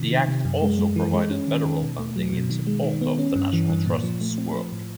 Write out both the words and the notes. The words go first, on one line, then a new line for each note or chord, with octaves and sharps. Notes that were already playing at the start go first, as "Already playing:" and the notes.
The Act also provided federal funding in support of the National Trust's work.
Already playing: C3 D#3 F3
D#3
C3
F#2
G#3
G#3
E3
G#3
C#4
D#3
D#3
B2
A3
F#3
B2
D#3
G#3
D#3
B3
C#4
G2
E3
G2
A#2
F3
A3
C4
F3
A2